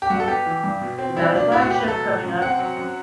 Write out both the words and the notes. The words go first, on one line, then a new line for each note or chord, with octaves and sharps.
We got a flagship coming up.
G4
G2 F#4
A4
B3 G4
E3
G2
B2
C4
G3 E4
B2 D4
A2 E4
F#4
B3 G4
B4
F#3 A4
A2
F#2
C4 F#5
F#3
F#2